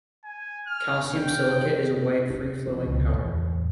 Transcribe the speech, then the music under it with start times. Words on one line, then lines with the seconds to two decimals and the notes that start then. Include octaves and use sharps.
Calcium silicate is a white free-flowing powder.
0.24 G#5
0.67 F6
1.14 G5
2.30 C#4
2.67 F3
2.87 C#2 C3
3.12 E2 A2